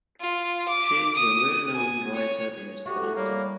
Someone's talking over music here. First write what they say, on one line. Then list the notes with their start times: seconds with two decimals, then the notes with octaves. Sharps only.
She is a well-known writer in Esperanto.
0.21 F4
0.68 D6
1.16 D#6
1.75 G#5
2.15 C#5
2.86 E4 F#4 G4 A4 C#6
3.16 G3 A#3 C#5